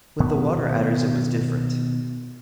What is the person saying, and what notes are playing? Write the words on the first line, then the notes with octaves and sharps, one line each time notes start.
With the Water-Adders it was different.
B2 D#3 B3